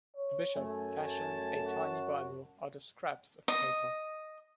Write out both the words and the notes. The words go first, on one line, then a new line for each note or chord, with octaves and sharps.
The bishop fashioned a tiny Bible out of scraps of paper.
C#5
F#2 A3 G#5
A5
F#4
D#5